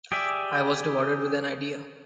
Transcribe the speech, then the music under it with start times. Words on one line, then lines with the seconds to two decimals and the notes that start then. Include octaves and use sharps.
I was rewarded with an idea.
0.12 G4 G#4 D5 E5